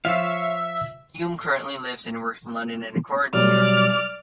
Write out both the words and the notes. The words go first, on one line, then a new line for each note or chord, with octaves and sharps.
Hume currently lives and works in London and Accord, New York.
F3 F4 C#5 E5 F5
B2 F#3 G3 D5 F6